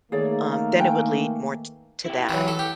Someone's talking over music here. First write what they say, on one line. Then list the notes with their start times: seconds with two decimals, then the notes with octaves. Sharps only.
um, then it would lead more t to that.
0.12 D#3 A3 A#3 G#4 C#5 D5
0.79 B4 G5 G#5
2.06 E4 G4
2.29 E3 F#3
2.48 A4
2.59 G4